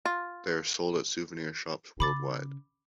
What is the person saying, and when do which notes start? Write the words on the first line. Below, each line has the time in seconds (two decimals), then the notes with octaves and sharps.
They are sold at souvenir shops worldwide.
0.05 F4
2.00 C#3 B5 D6 A6